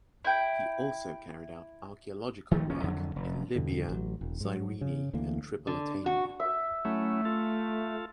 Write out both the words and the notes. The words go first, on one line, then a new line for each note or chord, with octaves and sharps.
He also carried out archaeological work in Libya, Cyrene and Tripolitania.
E4 G5
D#3 F3 G3 A3
F#1 F3 C#4
F2 D3 F#3
F1
E2 G2 B2 D3
A1 F#3
E1
G#2 F#3
C#3
D2 D3 E3 A#3
D3
F#4
E5
F#3 A3 C#4 E4
F4 A4